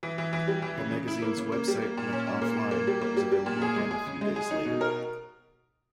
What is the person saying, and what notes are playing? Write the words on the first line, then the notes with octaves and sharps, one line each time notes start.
The magazine's website went offline but was available again a few days later.
E3
E3
E3
G3
E3
C#3
C#3
E4
A#3
C#3
A#3
G3
A#3
A#2
C#4
A#2
A#3
A#2
A#3
G3
A#3
G3
G3
A#2
G#4
G#3
G#4
C#3
G#3
G#4
D#4
B2
A#4